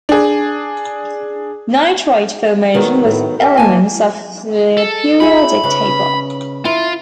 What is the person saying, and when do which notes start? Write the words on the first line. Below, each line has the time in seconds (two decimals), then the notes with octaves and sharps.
Nitrate formation with elements of the periodic table.
0.09 D4 G#4
2.74 D#3 F#3 B3
3.04 A2
3.40 G4 A#4 E5
3.57 E3 A#3 G#5 A5
4.77 A4
5.20 F4 G#4 E5 B5
5.63 C#3 C#4 B4
6.65 E4 F4